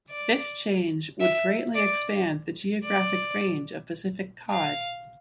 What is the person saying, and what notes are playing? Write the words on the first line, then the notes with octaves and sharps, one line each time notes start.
This change would greatly expand the geographic range of Pacific cod.
D5
E5
D5
D5
F5